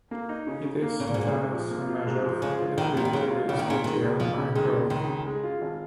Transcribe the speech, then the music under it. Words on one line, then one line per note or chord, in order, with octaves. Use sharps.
It is thus a measure of the liquidity risk entailed by growth.
A#3
D#4
C#3
C#3
A#3
C#3 A#3
A#2
G#2
A#2 F4
G#2
F3
A#3
F4
G#2
F3
C#3 G#3
F4
A#1 D#3
A#2 F3
D#3
C#3 G#3
F4
A#1 C#3
D#3
A#2 C#3
D#3 G#3
C#2
C#2 F3
C#3
D#3 G#3
C#2
C#2 D#3
C#3
G#3
F4
G#1